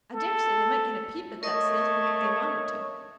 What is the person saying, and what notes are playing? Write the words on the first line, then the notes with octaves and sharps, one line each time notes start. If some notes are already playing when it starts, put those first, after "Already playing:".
I daresay they might get a peep at that sales book if they wanted to.
A4
A3 A#4 C#5 D#5 D#6